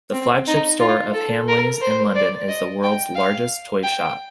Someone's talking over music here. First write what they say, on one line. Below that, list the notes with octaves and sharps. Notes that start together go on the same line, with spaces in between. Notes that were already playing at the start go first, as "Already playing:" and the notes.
The flagship store of Hamleys in London is the world's largest toy shop.
C4
D#4
F4
A4
A#4
C5
D5
D#5
G5
F5
G5